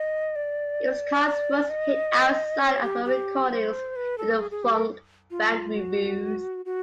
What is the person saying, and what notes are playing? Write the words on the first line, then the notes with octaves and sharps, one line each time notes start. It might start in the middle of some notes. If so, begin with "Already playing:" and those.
It was Khan's first hit outside of her recordings with the funk band Rufus.
Already playing: D#5
D5
D5
D#5
C#5
G4
G4
C5
B4
A4
G#4
G#4
G4
A#4
F4
F#4
F#4